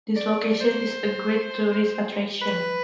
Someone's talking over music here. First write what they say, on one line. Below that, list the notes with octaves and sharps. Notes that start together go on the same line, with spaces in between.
This location is a great tourist attraction.
D5
C5
B4